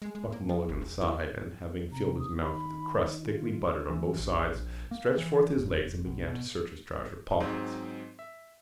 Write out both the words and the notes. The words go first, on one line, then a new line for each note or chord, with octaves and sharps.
Buck Mulligan sighed and, having filled his mouth with a crust thickly buttered on both sides, stretched forth his legs and began to search his trouser pockets.
G#3
G#3
A#3
F3
G1
E1
E4
C3 A#5
D#6
D#3 B5
F4
E3
A#1
A#1
A#3
E3
F1
B1
B2
G#2 F#3 G#3 C4 D#4
E5